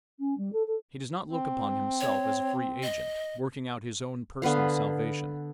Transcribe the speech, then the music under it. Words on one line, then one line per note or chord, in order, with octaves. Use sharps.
He does not look upon himself as a free agent, working out his own personal salvation.
C#4
G3
A4
A4
C4
C#5
D#5
D3 B3 B4 F5